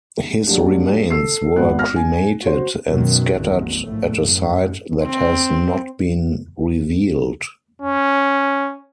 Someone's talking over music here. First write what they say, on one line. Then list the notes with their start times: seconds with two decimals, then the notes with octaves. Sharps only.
His remains were cremated and scattered at a site that has not been revealed.
0.47 F#3 A#3 D4 G4
1.10 A4 E6 C7
1.56 G#1 B3 F#6
1.79 F6 A#6
1.96 G#5
2.42 F#4 C5
2.87 F#2 B2 D#3 F#3
3.35 A1 E2
3.83 A#1 A2 A3
4.24 F#2 A2
5.04 C4
7.82 C#4